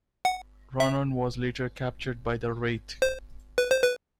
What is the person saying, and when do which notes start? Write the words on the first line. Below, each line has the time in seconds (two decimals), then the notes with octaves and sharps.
Ronon was later captured by the Wraith.
0.25 F#5
0.80 E5
3.02 C5
3.58 B4
3.71 C5
3.84 B4